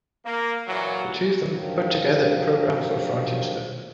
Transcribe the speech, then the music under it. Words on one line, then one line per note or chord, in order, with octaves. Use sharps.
The two of them put together a program for a frontier show.
A#3
A#2 E3 F#3
G2 D#3 F3 F#3